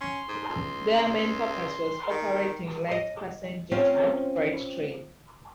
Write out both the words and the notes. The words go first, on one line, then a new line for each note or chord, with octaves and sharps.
Their main purpose was operating light passenger and freight trains.
C#4 C6
G#2
C#2
D#3
D#5
C4 C#4 F4